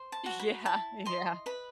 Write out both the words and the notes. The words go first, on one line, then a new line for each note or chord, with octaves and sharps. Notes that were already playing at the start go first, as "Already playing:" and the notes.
Yeah, yeah.
Already playing: C5
A5
F#4
B5
E4 A5
D#5 C6
B4 B5